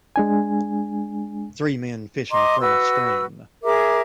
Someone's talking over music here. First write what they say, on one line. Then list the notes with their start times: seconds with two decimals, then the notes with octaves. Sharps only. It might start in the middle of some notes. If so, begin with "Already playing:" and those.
Three men fishing from a stream.
0.16 G#3 D4 G#5
2.31 D#5 A#5 C6 D6
2.61 F#4 B4 E6
3.63 G#4 A#4 E5 D6